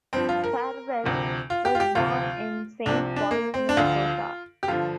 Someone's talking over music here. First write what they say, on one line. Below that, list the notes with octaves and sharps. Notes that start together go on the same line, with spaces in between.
Farwell was born in Saint Paul, Minnesota.
G2 F3 C4
F4
A#4
D2 C3 F3
F4
G4
F4
G4
D2 C3 F3 F4
C2 C3 F3 D4
D4
A#3
C4
D4
D2 D3 F3 F4
G4
G2 D3 F3 F4